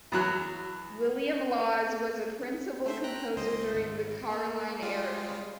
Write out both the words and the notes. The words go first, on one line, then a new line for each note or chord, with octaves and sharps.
William Lawes was a principal composer during the Caroline era.
E2 F#3 F#6
A3 C5 E5
G5 A#5 F#6
C#2 C5 D#5
G#1
A#3
G3 G#3 F4